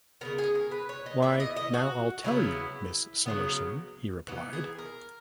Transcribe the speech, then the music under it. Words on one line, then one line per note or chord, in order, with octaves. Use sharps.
"Why, now I'll tell you, Miss Summerson," he replied.
C#3 F#3 B3 A#4
G#4
A#4
B4
C#5
D#5
E3 B3 E4 E5
D#5
D#5
F#4
C#3 F#3 B3 E4
C#3 F#3 B3
E3 B3 D#4 F#4
G#4
A#4